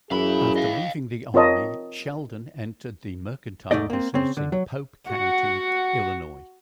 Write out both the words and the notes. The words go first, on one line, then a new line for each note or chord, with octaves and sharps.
After leaving the Army, Sheldon entered the mercantile business in Pope County, Illinois.
F#2 E3 E4 G#4 F5 B5
D#5 F5
C4 F4 A#4 C#5 D#5 A5
G#2 A3 D#4 D5 D#5
A#3 C4
C#3 C4
D3
F#3
F#4 F#5